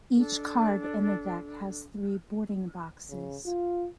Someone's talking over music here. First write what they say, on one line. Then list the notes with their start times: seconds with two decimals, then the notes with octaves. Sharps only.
Each card in the deck has three boarding boxes.
0.17 D4 A4
3.10 C#3
3.46 F4